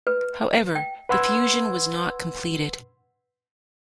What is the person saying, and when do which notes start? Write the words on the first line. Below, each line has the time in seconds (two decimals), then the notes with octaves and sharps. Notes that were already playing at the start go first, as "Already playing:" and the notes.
However, the fusion was not completed.
0.07 B4
0.76 G5
1.09 B4 F#5 C6 E6 G#6